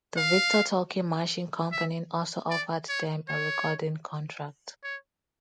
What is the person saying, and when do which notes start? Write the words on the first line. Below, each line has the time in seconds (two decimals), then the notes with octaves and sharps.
The Victor Talking Machine Company also offered them a recording contract.
0.17 F5
1.72 E5
2.50 D5
2.89 C#5
3.28 C#5
4.84 C#5